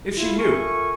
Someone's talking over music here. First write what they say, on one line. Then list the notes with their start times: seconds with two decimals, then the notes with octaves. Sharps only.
If she knew!
0.16 E4 F4
0.39 F4 A4 A#4 E5 G#5 C#6